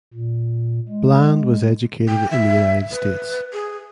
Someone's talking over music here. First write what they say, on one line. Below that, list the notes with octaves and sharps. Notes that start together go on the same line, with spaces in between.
Bland was educated in the United States.
A#2
G#3
G5
E5
B4
G#4